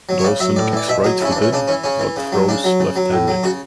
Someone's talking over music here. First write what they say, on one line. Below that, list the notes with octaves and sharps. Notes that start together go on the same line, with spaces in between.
Dawson kicks right-footed but throws left-handed.
F#3
C#5
C#3 D5
F#3 E5
A2 D5
E3 D5
B2 E5
F#3 G#4
C#3 C#4 E4
D4
E3
C#4
C#3 D4
E3 C#4
C#3 C#4
E3
C#3
F#3
C#3 D4
F#3
C#3
F#3
A2
F#3
C#3 F#4